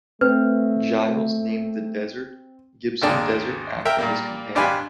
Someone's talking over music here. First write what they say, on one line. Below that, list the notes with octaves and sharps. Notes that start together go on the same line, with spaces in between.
Giles named the desert Gibson Desert after his companion.
A3 C4 B4
G#1 D#2 A#3 D4 G#4 A5
A#4 E5 G5
A#2 G3 A#3
G#1 D4 G4 B4 F5 G#5